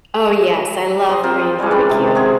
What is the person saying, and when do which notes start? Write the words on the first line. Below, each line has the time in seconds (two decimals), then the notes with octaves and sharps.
Oh, yes, I love Korean barbecue.
1.09 C5 D#5
1.23 C4 F4 A#4 C5
1.59 G3 G#3 G4 C#5
1.71 C4 C#4 B4 D5
1.89 C3 G#3
2.15 C4 F#4 G#4